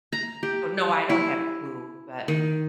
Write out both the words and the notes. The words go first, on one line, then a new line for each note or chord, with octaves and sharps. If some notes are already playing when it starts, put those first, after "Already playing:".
So, no, I don't have a clue, but
A#5
G4
E4
D#3